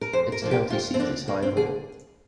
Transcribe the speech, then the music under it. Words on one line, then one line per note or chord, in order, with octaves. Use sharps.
Its county seat is Highmore.
A#4
F2 C5
A#4
D3 F3 A#3
G4
F2 F4
C4
D3 F3 A#3 D4
F2 A#3
C4
D3 F3 A#3 G#4